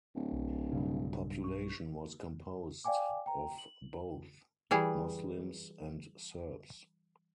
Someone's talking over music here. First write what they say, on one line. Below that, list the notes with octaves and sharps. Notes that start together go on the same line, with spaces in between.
Population was composed of both, Muslims and Serbs.
D1
B1
B1 G2 C#3
C#6
D5 F5 G5 G#5 D6
G5 A#5
F#7
E3 G3 G#4